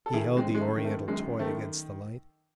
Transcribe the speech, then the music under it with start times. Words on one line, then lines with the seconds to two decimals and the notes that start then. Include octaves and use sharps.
He held the oriental toy against the light.
0.06 A4
0.13 D#3 E4 G#4
0.37 G#3 C4
0.45 F#2
0.55 G#3
0.61 A3
0.77 D#3
0.85 A3
1.08 F#2 G#3
1.39 D#3 A3